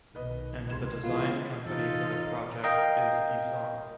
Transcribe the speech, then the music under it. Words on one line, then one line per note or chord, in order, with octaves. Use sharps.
And the design company for the project is Isan.
B1 B2 D#3 B4 D#5
C#2 C3 D#3 C6 G#6 E7
E3 G#3 B3 F4
C3 E3 D#4 F4 A4 D#5
A#4 D#5 F5 G5